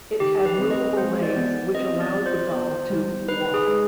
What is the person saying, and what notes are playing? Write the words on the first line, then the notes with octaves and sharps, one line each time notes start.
It had movable legs which allowed the doll to "walk".
D#3 G4
B4
C4
D#5
G#3 C5
D5
B3
C4 D#5
D5
F4
C5
B3
G3
D#4 B4
G#4
G#3